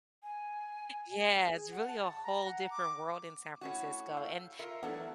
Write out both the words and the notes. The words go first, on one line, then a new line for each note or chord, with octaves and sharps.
Yes, really a whole different world in San Francisco, and
G#5
G#4
F#5
A5
A#5
F#5
D6
A2 C#4 F#4
F5 E6 G6
F4 A#4 E5 C#7
E3 F#3 A3 B3 D4 A4